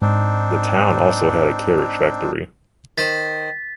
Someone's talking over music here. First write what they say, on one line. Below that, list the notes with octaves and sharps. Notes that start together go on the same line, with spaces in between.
The town also had a carriage factory.
G#2 C4 D4 D#4
D#3 C5 A6 B6